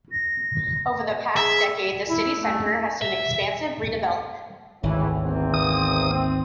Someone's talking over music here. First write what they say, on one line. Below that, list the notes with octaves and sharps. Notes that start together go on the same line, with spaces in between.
Over the past decade the city Centre has seen expansive redevelopment.
A#6
D#5
G#4 E5
E4
A3
E5
G#1 D2 A2 C#3 E3
E2 A#3 C4
D#6
C4